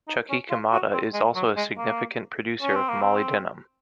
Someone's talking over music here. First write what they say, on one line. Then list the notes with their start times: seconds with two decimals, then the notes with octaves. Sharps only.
Chuquicamata is also a significant producer of molybdenum.
0.08 D#4
0.30 C#4
0.50 F4
0.72 F#4
0.93 C4
1.14 G#3
1.36 F#3
1.57 G#3
1.77 A#3
2.62 C#4
2.75 C4
2.89 A#3
3.02 C4